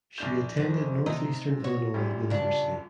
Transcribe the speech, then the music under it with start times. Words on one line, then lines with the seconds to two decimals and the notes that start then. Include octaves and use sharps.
She attended Northeastern Illinois University.
0.18 A#1 D4 G6
0.57 F2
1.06 C3 D#4
1.64 F#4 C#5
1.94 F#2 A#2 G3
2.30 C#3 D4